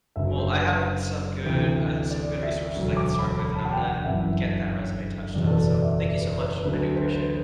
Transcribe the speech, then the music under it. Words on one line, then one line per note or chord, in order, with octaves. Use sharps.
Well, I have some good uh, some good resources I could start with, and I'm gonna get that resume touched up, so, thank you so much. I do appreciate it.
F#1 F#2 D3 F#3 E5
C5
B4
D2 C3 E3
D5
E5
E1 D2 D3 F#3
D6
B5
B5
A5
F#5
G5
F#5
G1 F#2 E3 E5
F#1 E2 B2 F#3 D5
A4
B4
D5
E5
D5
B4
B4
D2 D3 F#3 B4
C5
B4
C5